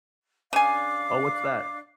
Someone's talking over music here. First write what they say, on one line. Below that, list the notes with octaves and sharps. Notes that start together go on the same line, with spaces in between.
Oh, what's that?
C#3 D4 F5 G#5 D6